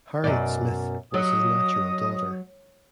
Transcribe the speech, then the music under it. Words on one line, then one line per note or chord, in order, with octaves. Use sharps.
Harriet Smith was his natural daughter.
F#2 B2 D5
F#3 D#5 D#6